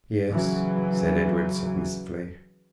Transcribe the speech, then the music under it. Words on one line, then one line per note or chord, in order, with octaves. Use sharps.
"Yes," said Edred submissively.
C#3 E3 F#3